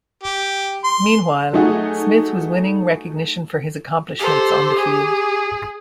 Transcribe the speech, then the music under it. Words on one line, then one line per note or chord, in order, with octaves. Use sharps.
Meanwhile, Smith was winning recognition for his accomplishments on the field.
G4
C6
F#3 A3 D#4 F#4 G#4
G4 A4 C5
G#4